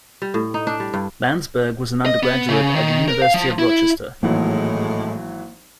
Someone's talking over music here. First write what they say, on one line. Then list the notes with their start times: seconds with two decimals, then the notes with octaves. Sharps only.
Landsburg was an undergraduate at the University of Rochester.
0.22 G3
0.34 A2
0.54 D#4
0.67 D4
0.80 G3
0.94 G2
2.06 D#5
2.23 B3
2.49 C#3
2.75 D#3
3.08 A#4
3.22 F5
3.34 F3
3.59 E4
4.23 G#1 A2 E3 F#3 G#3 A#3